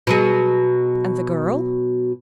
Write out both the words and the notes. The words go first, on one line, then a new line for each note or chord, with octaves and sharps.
"And the girl?"
B2 F#3 G#4